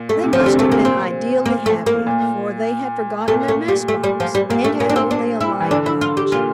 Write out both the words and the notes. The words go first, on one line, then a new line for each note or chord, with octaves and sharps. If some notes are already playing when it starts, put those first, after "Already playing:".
They must have been ideally happy, for they had forgotten their mess-box, and had only a light lunch.
Already playing: A#2
A3
C3
F3
D3
G3
C3 A3
A#2 A#3
C4
A#3
A3
A#3
A#2
A#2 A3
A3
G3
A3
G3
F3
G3
A#2 A#3
A3
A#2 A#3
D4
C4
D4
E4
E3
D3 D4
E4
F4
G4
A#2 F4